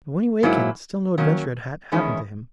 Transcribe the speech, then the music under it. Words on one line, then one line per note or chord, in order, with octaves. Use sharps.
But when he awakened still no adventure had happened to him.
G#2 F#3 A#3 E4
D#3 F#3 A#3 C#4
E2 D#3 G#3 C#4 E4